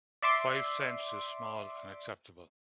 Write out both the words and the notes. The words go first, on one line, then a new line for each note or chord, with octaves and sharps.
Five cents is small and acceptable.
D5 E5 C6 D6